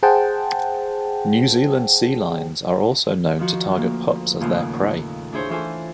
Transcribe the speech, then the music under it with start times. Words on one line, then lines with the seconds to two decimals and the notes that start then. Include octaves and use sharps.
New Zealand sea lions are also known to target pups as their prey.
0.03 G#4 C5 F#5 G5 A5
3.39 D#3 F3 F#4
3.74 D2 A#3
4.41 D#2 A2 C#3 F4 D#6
5.33 D4 E4 G#4 C5 C#5
5.49 E3 F4 A4 C5 G#5